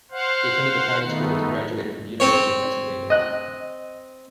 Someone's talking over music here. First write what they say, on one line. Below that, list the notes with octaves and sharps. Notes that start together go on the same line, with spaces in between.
He attended the private schools and graduated from the University of Pennsylvania.
C5 F5 F#5
D#3 A3 B3 D#4
C4 C#5
D#5 F#6